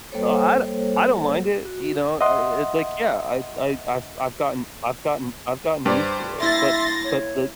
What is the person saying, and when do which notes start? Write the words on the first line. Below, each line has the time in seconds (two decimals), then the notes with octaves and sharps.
I I don I don't mind it. You know? Uh uh It like Yeah. I I I've I've gotten I've gotten I've gotten used to it, but but but
0.12 G3 A#3 A4 C5 C#5
1.65 F#4
2.21 D#5 E5 F#5 C6 D#6
5.85 G2 C5 D5
6.40 A#3 E4 E5 C6 A6 A#6
7.04 C#5